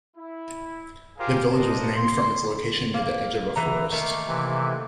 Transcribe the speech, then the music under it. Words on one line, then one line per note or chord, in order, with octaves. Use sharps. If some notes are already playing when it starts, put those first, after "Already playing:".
The village was named from its location near the edge of a forest.
E4
F4 G4 G#4 A#4 C5 F5
A#3 D4 D#4 C5 D#5 A5
C6
A#3
E3 A#5
D#3 A3 A#3
C3 E3